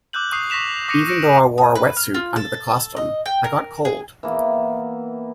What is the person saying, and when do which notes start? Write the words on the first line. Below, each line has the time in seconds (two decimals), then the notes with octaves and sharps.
Even though I wore a wet suit under the costume, I got cold.
0.13 D6 E6 F#6 G6 F#7
0.32 C#6 D#6 C7
0.50 C#6 A#6 B6 E7 F7
0.88 D6 D#6 A#6 B6 C#7 D#7
1.07 E6 A#6 C#7 D7
1.58 D#6
1.75 B4
1.97 F6
2.14 F4
2.36 A4
2.96 D#5
3.26 G5
3.44 A#4
3.85 G#4
4.23 E3 A#3 B3